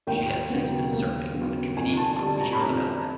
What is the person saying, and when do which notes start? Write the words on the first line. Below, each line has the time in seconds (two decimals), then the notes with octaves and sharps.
She has since been serving on the Committee on Regional Development.
0.07 D#2 G5
0.50 C#3 F#3 B3
0.92 D#2
1.34 C#3 F#3 B3
1.76 F2 G#5
1.97 A5
2.19 D3 G3 A5
2.40 A#5
2.53 B5
2.61 F2 A#5